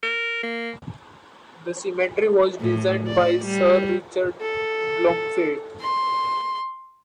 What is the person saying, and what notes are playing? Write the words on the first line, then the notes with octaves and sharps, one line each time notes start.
The cemetery was designed by Sir Richard Blomfield.
A#4
A#3
A2
D5
G3
A4
C6